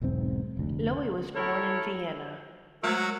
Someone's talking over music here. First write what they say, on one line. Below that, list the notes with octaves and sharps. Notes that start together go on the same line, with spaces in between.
Loewy was born in Vienna.
E1 B1 G#2 C4
F1 D2
E4 A4 A#4 C#5
F#3 G#3 A3 A#4 C5 C#6 E6